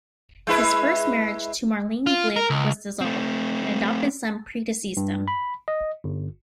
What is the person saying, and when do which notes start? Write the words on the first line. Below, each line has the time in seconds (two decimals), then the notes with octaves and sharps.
His first marriage, to Marlene Glick, was dissolved, and an adopted son predeceased him.
0.47 G#3 E4 B4
2.06 F4
2.36 A#4
2.50 C#2
3.01 A3 C4
4.97 G2
5.28 B5
5.68 D#5
6.04 G1